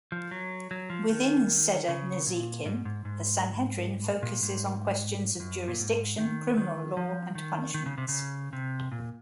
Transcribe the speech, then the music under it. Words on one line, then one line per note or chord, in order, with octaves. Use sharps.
Within Seder Nezikin, the Sanhedrin focuses on questions of jurisdiction, criminal law and punishments.
F3
F#3
F#3
F3
D#3
C#3
A#2
G#2
G#2
G#2
A#2
G#2
F#2
A#2
G#2
D#3
D#3
F3
D#3
D#3
C#3
C3
C#3
C3
A#2